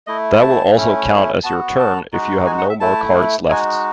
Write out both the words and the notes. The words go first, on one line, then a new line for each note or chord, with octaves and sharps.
That will also count as your turn if you have no more cards left.
A3 E4 D#5
A5
A3 C#4 E4
B3 F#4 A5
A5
G#3 D#4 F#4
G#5
F#5
E5
A3 E4 A5
G#3 D#4 F#4 G#5